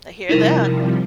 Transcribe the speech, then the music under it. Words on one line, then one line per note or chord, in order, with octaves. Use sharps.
I hear that.
C3 F3 G3 D#4 E4 A#4